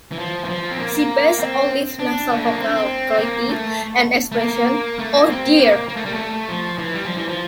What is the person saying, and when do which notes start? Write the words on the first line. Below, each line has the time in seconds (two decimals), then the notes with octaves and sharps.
She based Olive's nasal vocal quality and expression, Oh, dear!
0.12 E3
0.19 F3
0.44 E3
0.49 F3
0.71 C4
0.79 A#3
1.39 C4
1.99 D4
2.32 A3
2.45 A#3
2.59 C4
2.68 D4
2.75 C4
3.19 A#3
3.49 A3
4.32 A3
4.39 A#3
4.99 A3
5.14 A#3
5.28 C4
5.59 A#3
5.89 A#3
5.97 A3
6.06 G3
6.14 A3
6.48 F3
6.78 E3
6.94 G3
7.05 F3
7.17 E3
7.28 F3